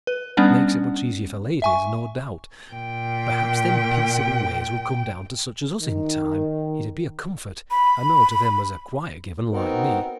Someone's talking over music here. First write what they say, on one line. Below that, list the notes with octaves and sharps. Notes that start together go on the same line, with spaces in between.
That makes it much easier for ladies, no doubt. Perhaps them peaceable ways will come down to such as us in time. It'd be a comfort, I know, to them as are quiet given, like me.
B4
G3 B3 C#4 D4 F#5
E5 G#5 C#6
A#2 G5
D#3
B5
B3 C4 D#4 F#4 A#4